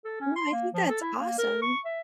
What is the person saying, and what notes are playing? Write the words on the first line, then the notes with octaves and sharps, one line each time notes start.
Well, I think that's awesome.
A4
C#4
C6
A#3
F3
A4
E4
A#3
A#4
C#6
E5